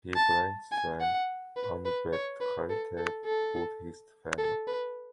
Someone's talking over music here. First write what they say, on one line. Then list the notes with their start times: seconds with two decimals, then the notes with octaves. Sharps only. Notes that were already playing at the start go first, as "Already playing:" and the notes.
He belongs to an Ambedkarite Buddhist family.
0.16 A5
0.71 G#5
1.00 F#5
1.56 B4
1.85 B4
2.13 C#5
2.40 B4
2.69 A4
2.97 A4
3.25 A4
4.38 A4
4.67 B4